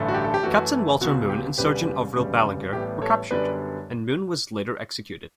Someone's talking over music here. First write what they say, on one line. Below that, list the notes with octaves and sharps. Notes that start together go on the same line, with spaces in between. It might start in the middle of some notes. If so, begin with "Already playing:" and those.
Captain Walter Moon and Sergeant Orville Ballenger were captured, and Moon was later executed.
Already playing: A1 G2 D3 A3
F#4
G4
A4
G4
F#2 E3 A3 F#4
C#2 B2 F#3 F#4
G4
E1 E2 C#3 G3 G4 B4
E1 D2 C#3 G3 B3
A1 A2 G3 B3 G4
A4 C#5
F#2 D3 G3 B3 B4 D5